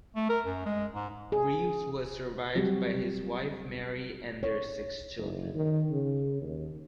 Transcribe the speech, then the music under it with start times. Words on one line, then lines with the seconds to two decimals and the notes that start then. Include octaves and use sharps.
Reeves was survived by his wife Mary and their six children.
0.16 A3
0.29 A#4
0.45 F#2
0.66 G#3
0.94 G#2
1.32 G#4
2.55 F#3 G3 C4 F#4 G4
4.43 C#5
5.18 F#1
5.55 D#3
5.91 C#3
6.41 D#2